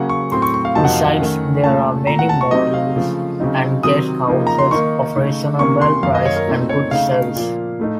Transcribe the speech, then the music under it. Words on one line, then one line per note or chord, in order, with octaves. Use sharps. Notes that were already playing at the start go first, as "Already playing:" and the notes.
Besides, there are many motels and guest-houses of reasonable price and good service.
Already playing: C#3 F#3 A#3 C#4 F#5
C#6
A2 F#3 A3 C4 C6
C#6
C#6
F5
F2 C3 F#3 A#3 D#4 A5
F#5
F5
F#5
D#3 A3 C#4
A#2 A3 C#4 A5
A#2 A3 C4 A#5
F#5
A5
C#6
C3 F#3 A3 C4 D#4 D#5
F5
C#3 F3 A3
C#3 F#3 C4 D#4
C3 D#3 F#3 C4 D#6
C#3 F3 A#3 D#4
A#5
C6
D#3 A#3 D#4 C#6
C#3 A3 D#4
C3 D#3 A#3 C#4 C#6
C6
F#2 D#3 A#3 F5
D#5
C#5
A#4
A#2 A3 C4 D#4
C#5
C#3 A3 D#4 F5
A#2 F3 A#3
A2 A3 D#4